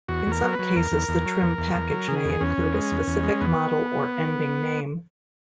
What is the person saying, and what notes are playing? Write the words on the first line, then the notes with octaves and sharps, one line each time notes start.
In some cases the trim package may include a specific model or ending name.
E2 F#4
E2
A#4
F#3
B4
F#3
E2 A#4
E2
E2
F#3
E2
E2
E2
F#3
C#3 G#4
E2
E2 C#4
E2
G#3
E2
E2
G#3
E2 B3